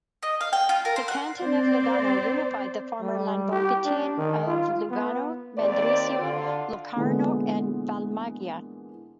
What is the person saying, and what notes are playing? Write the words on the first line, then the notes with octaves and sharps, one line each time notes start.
The canton of Lugano unified the former Landvogteien of Lugano, Mendrisio, Locarno and Valmaggia.
D#5
F5
G5
F4
A#4
C5
F#5
C4 C5 D5
G3
G4
D4
D#3
F4
B3
D#2 C4 C5 D5
D3 F4
A#2 D3 E3 G#3 B3